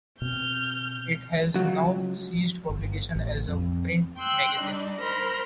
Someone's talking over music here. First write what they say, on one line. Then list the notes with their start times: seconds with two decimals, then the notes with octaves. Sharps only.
It has now ceased publication as a print magazine.
0.22 B2 C4 F6 G6
1.56 C#2 F#3
2.70 G1
3.16 A1
3.48 F2
4.17 G5 C6 E6 F#6
4.58 G3 D4 D#4
5.00 A#4 C5 B5 C6 F6 A#6